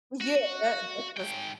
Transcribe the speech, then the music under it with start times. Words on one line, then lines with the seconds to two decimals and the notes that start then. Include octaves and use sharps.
Yeah, that that's just
0.21 F#4
1.17 G#2 G5